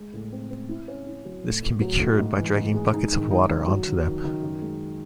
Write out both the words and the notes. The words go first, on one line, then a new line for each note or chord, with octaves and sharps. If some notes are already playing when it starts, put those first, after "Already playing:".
This can be cured by dragging buckets of water onto them.
Already playing: G#3
A2
C4
C4
E4
C#4
E4
F#3
A2
A2
F#3
A2
G#2
E3
G#2
G#3
D#4
D#3
D#4
D#4
F#3
D#3
D#3
D#3
F#2
G#3